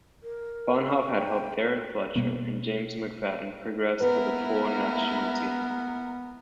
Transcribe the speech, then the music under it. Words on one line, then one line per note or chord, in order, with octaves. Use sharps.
Bonhof had helped Darren Fletcher and James McFadden progress to the full national team.
A#4
C#6
G5
B2 G3 A#3 B3
G#3 A#3 B3 E4 A#4 B4